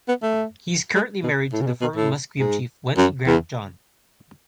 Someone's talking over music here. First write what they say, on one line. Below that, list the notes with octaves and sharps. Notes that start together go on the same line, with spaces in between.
He is currently married to former Musqueam chief Wendy Grant-John.
B3
A3
G#3
B2
A2
C#3
B2
B2
A2
G#2
F#2
E2